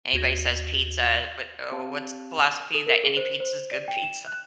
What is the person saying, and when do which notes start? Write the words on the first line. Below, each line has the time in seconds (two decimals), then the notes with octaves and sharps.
anybody says "pizza," but, uh, w what's the philosophy that any pizza is good pizza?
0.13 D#2 F#4 G#6 A#6
1.72 C4 G4 C#5 F5 A5
2.74 A4
2.87 A#4
3.04 G#4
3.17 C5
3.40 C5
3.72 D5
3.88 G5
4.03 E7
4.27 F#6